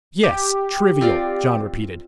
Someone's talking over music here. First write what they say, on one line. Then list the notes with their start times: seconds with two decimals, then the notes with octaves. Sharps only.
"Yes, trivial," John repeated.
0.23 G4
1.01 C4 F4 D5